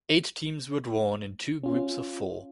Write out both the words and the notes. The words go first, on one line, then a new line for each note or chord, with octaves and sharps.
Eight teams were drawn in two groups of four.
C#4 F4